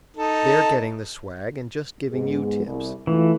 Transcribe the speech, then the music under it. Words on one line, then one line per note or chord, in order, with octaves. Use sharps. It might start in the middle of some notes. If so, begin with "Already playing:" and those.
They're getting the swag, and just giving you tips.
D#4 A4
G#2 B3 G#4
C2
E3 A3 F4